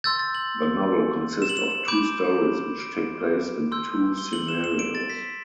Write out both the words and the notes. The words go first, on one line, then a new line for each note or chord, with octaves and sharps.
The novel consist of two stories which take place in two scenarios.
C6 E6 G6 A6
A6
F#7
E7
F#7
E7
B5 D6 G6 D7
D7
C6 E6 G6
G7
F#7
E7
E7
D7
A6
B6